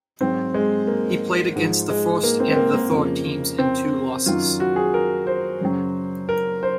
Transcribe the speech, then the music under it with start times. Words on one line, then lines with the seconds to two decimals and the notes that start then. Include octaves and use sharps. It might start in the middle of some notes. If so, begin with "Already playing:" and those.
He played against the first and the third teams in two losses.
0.21 G#2 F#3 C4
0.54 G#3
0.87 A#3
1.56 G#2 F3
1.89 G#3
2.23 A#3
2.40 C4
2.50 C4
2.56 A#3
2.74 A#3
2.91 F2 C#3 F3
3.58 C4
4.26 F#2 D#3 F#3 F4
4.60 F#4
4.76 G#4
4.94 A#4
5.27 C5
5.61 F#2 C#3 F#3
6.29 A#4
6.63 C5